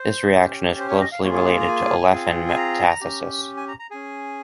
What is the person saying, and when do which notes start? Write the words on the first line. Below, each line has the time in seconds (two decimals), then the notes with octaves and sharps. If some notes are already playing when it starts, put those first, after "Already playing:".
This reaction is closely related to olefin metathesis.
Already playing: C5
0.34 C#4 G4
0.79 C5
0.89 C#5
1.01 D#5
1.12 F5
1.23 A#3 F4 G#4 C#5
1.34 C#5
1.45 F5
1.60 A#5
1.68 G#5
2.12 C4 F4 G#4
2.48 G#5
2.57 A#5
3.01 C#4 G4
3.57 G#5
3.68 A#5
3.79 A#5
3.91 C#4 G#4 G#5